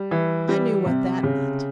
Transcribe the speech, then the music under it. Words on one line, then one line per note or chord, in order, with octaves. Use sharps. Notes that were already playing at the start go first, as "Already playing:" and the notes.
I knew what that meant.
Already playing: G3
E3
G3
C3
C#3